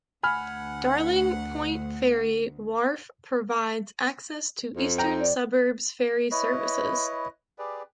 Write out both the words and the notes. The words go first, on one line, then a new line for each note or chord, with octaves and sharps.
Darling Point ferry wharf provides access to Eastern Suburbs ferry services.
D2 F#5 G#5 B5 F6
F2
G5 A#5
D5
E4 B4 C#5 D#5
G4 G#4 B4 D5